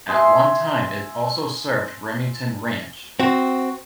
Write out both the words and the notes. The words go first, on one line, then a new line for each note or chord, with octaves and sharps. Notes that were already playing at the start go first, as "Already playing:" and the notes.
At one time it also served Remington Ranch.
G#4 E5 C6
C4 F#4